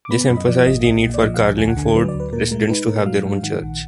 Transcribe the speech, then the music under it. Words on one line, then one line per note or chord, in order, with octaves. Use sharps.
This emphasised the need for Carlingford residents to have their own church.
D6
B3 B5
F#2
D#5
F3 D5
G#1 D#5
B1 D#5
A#2
D5
F3 D#5
F5
B1
G#5
D2 G#5
F#5
D3 G#5
F#3 B4
D5
D2
B4
A#2 A#4
G#3 A#4
D#4 B4
A#2 A#4
F#3 F5
G#2
D#3 F#5
A#1